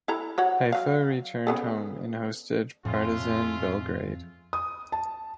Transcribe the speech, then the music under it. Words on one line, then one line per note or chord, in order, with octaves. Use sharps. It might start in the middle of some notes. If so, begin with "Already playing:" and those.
Haifa returned home and hosted Partizan Belgrade.
E4 A4 A#5
F#4 C#5 F#5
F#3 F5
C#3 B3 A4
F2 A2 G#3 A3 F4
D#6
A5